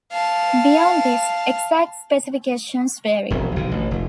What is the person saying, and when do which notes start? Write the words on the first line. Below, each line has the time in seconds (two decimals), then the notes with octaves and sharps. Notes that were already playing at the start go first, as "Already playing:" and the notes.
Beyond this, exact specifications vary.
0.12 F5 A5
3.30 E1 A#1
3.56 B1 D3
3.71 A1
3.91 F1